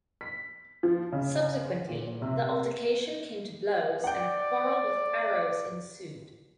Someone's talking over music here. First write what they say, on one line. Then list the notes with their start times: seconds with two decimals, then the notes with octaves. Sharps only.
Subsequently, the altercation came to blows and a quarrel with arrows ensued.
0.21 B6
0.83 F3
1.12 C#3
1.89 A#2
2.22 C3
4.04 D5 F#5 G5